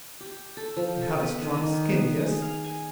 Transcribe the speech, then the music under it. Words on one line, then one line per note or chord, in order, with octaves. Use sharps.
You have a strong skin--yes?
G4
A4
F3
A4
B3
D#3
D#3
B3
G#4
F5
G#5